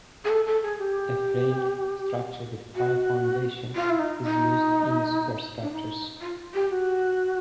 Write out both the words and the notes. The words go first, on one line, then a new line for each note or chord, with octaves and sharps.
A framed structure with pile foundation is used in the superstructures.
G#4
A4
A4
G#4
G4
F#4
F4
E4
D#4
D#4
D4
D#4
F4
G4
F#4